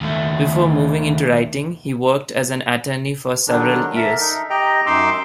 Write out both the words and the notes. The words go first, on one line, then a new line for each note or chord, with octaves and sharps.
Before moving into writing, he worked as an attorney for several years.
D#2 A3
D3 D#3 F#3 G3 D4
A4 A#4 E5
D#4
G4 D#5 G5 A#5
F#2 D#4 C6 D6 E6